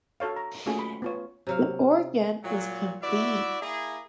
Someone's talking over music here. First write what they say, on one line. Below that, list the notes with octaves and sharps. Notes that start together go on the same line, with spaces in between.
The Organ is complete.
F#4 A4 C#5 F5
A#5
A3 A#3 C#4 F4 F#4 G#4
B5
B3 F4 C#5
C3 F#3 F5
A#2 F#3
E4 F#4 D5 E5
A#3 E4 G#4